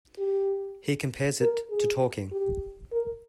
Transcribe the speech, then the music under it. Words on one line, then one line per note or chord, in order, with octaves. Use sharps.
He compares it to "talking".
G4
A#4
G#4
G4
A#4